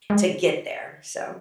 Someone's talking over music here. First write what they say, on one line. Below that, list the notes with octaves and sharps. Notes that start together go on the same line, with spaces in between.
to get there, so
G#3